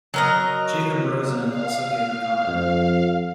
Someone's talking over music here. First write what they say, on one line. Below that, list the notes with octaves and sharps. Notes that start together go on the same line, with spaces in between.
Jacob Rosen also gave no comment.
F#3 A#4 D#5
F5
F2